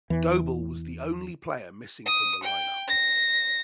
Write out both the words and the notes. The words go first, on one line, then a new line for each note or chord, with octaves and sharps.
Doble was the only player missing from the line-up.
E2 E3
D#6
G5
A#6